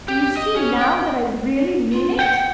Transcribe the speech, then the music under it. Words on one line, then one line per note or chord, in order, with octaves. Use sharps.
Do you see now that I really mean it?'
G4
D#5
C#4
G5
F4
F#5 G5